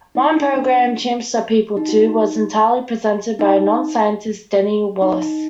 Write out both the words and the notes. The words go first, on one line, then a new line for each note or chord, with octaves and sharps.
One programme "Chimps are people too" was entirely presented by a non-scientist, Danny Wallace.
D#4
D4
D#4
F#4
D#4
D#4
D#4
D#4